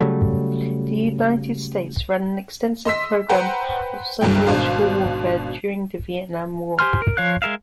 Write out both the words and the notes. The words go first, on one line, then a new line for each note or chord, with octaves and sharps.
The United States ran an extensive program of psychological warfare during the Vietnam War.
C#3 F#3 G3 A3
D#5 C6 E6 B6
B4 C5 F#5 G5 A#5
G1 C2 G2 F#3 G#4 G5
G#1 B2 D4 C5 F5
G4 C5 G#5 C6 F6
A#4
F3 C#5 F5 F#6
G#3 G#4 A#4 E5 F5